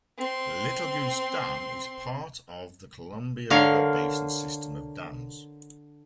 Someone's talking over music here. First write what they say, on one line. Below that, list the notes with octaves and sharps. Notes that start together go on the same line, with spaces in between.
Little Goose Dam is part of the Columbia River Basin system of dams.
C4 C6
D3 A#4 C#5 F5